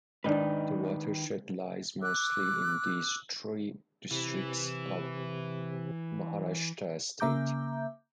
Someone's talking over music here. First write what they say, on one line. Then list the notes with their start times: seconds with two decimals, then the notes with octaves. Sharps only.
The watershed lies mostly in these three districts of Maharashtra state.
0.24 G#2 D#3 D4 D#4 B4
2.02 D6 E6 F#6
4.11 C3 E3
7.20 C#3 A#3 E5 A#5 D6 G6